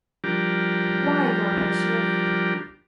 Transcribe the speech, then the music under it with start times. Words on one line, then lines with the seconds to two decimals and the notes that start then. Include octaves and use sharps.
Why Gorbachev?
0.24 F3 G3 D4 G4 A#4